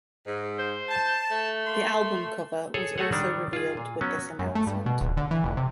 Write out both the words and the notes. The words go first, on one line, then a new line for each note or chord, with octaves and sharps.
The album cover was also revealed with this announcement.
G#2
C5
A5
A3
A#3 C6
G#4 A4 C#5
A3 F#4 G#4 A4 C#5 F#5
D#3 G3 D4
F4 G#4
A#2
F#3 B3 C#4
F#2
A3
G2
B2
D#1
D3
E3
F1
C3